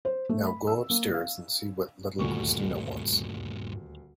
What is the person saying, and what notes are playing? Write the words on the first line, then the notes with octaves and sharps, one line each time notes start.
Now go upstairs and see what little Christina wants.
C5
A3
B5
E6
A#3
F5
D#1 D2 G2 A#2 C#6